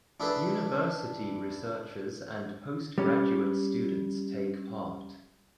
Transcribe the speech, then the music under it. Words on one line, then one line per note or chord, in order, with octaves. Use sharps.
University researchers and postgraduate students take part.
D4 E4 G#4 A4 B4
G3 C#4